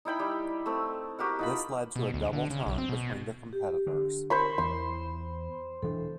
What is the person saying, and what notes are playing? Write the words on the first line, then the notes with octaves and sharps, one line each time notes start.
This led to a double turn between the competitors.
D#4 E4 G5 B5
G3
A3 C4
F#4 G4 A#4 F#5
D#4 F4 B5
B2
D2
D3
C#3
B1
C4
B2
G4
D3
A#4 C5 B5 C#6
E2 E3 B5 C6
E1 E3 D4 A4